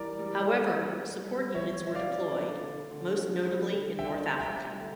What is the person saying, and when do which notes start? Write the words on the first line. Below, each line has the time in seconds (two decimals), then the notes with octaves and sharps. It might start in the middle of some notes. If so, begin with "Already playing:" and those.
However, support units were deployed, most notably in North Africa.
Already playing: E3 G3 A#4 D5
0.19 G3
0.46 E3
0.74 C#4
1.00 G3
1.28 G3
1.54 E3 C#5 E5
1.81 E3
1.87 E5
1.95 D5 F5
2.09 C#4
2.36 D3
2.63 D3
2.91 D3
3.17 C#4
3.44 G3
3.71 D3
3.99 C#4 E5 G5
4.26 D3
4.40 E5 G5
4.53 G3
4.80 D3